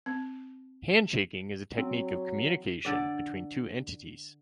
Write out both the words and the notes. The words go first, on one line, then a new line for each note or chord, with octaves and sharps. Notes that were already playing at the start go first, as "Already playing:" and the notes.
Handshaking is a technique of communication between two entities.
C4
F#3 C4
D3 D5